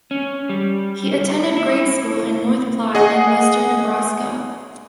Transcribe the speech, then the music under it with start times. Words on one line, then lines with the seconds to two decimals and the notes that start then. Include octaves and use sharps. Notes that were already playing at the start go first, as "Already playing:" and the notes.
He attended grade school in North Platte in western Nebraska.
0.11 C#4
0.49 G3
1.57 E4
2.95 G#4 D#5 F#5